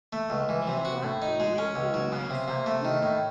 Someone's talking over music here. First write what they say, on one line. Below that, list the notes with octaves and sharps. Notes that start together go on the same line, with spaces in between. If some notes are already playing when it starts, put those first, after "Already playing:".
'May Luck be with you, my son.
A3
C#2
E3
C3
F#4
A2
D#4
G#3
C#4
C#2
F#3
C#3
C3
C3
A3
D#3
A2